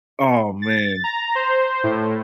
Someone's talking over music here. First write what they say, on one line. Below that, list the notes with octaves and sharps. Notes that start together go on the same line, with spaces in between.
Oh, man.
A6
A#5
C5
A2